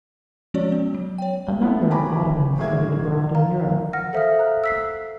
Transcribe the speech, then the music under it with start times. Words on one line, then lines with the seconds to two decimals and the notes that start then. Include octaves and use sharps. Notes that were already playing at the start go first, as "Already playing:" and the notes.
A number of Ottomans studied abroad in Europe.
0.54 F3 G#3 C#4 F#4 C#5 D5
0.72 B3
0.94 F#3
1.18 C#5 G5
1.61 A3 B3 E4 F4
1.90 F#4 G4 G#5 A#5 B5 D6
2.58 A1 F#3 G#3 A#3 E5 G#6
3.35 A#4 F5 A#5
3.93 F#5 F6 A#6
4.13 A4 C5 E5 F5 D#6 F6
4.39 A#5 F#6
4.64 E6 B6 C7